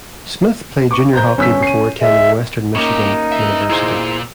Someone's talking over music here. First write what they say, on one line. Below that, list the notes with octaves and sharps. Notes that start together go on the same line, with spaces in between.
Smith played junior hockey before attending Western Michigan University.
C#6 D6
C5 A#5 G6
G1 C#4 E6 B6
C7 D#7
G#3 E5
A2 A#3 C#4 D#4 G4
B4 E5
A#2 E4 G#4 C5